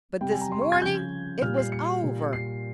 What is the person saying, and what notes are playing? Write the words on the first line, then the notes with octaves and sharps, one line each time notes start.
But this morning it was over.
C3 G3 G5
G#5
A#5
C6
C#6
G#6
C#3 F3 G6
A#2 G3 F6
C7
C#7
A#2 G3
C7